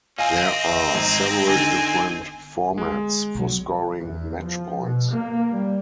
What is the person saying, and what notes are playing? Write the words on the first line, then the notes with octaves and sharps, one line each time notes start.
There are several different formats for scoring match points.
C4 D#5 F5 G#5
G#1 A#5
D3 D#3 G#5
G#3
B1 F#3
E2
F3
B2
A#3
G3